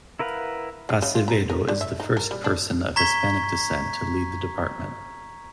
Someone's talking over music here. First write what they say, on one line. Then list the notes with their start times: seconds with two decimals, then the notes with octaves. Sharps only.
Acevedo is the first person of Hispanic descent to lead the department.
0.19 E4 A#4 B4 F5 F#5
0.89 G#3
1.02 C#3
1.15 F4
1.28 A#5
1.50 A#4
1.68 D4
1.81 E5
2.00 D#4
2.17 A#4
2.31 G3
2.44 D4
2.96 A#5 C#6 G#6 B6 G7